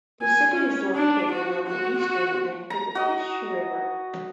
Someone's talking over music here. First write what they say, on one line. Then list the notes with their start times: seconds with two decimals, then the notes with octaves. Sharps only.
The city is located on the eastern bank of the Fish River.
0.22 G#5
0.54 C#4
0.95 D4
1.32 F#4
1.67 F#4
1.99 F#4
2.70 A#5
2.95 F#4 D#5